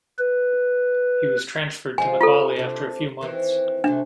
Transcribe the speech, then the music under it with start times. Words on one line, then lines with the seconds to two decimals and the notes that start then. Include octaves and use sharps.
He was transferred to McAuley after a few months.
0.19 B4
1.98 F3 G#3 F4 G#5
2.21 C#4 F4 A4
2.56 C3 D4
3.21 D#3 E3 C4
3.84 C3 F#3 A3 D4